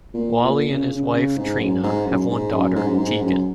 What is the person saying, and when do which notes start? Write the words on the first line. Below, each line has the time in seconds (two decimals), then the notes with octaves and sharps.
Wahle and his wife, Trina, have one daughter, Teagan.
0.14 A#2
0.45 A#2
0.68 C#3
0.91 C#3
1.14 C#3
1.37 G#2
1.60 F#2
1.83 G#2
2.07 F#2
2.29 G#2
2.52 F#2
2.76 G#2
2.87 F#2
2.98 G#2
3.22 F#2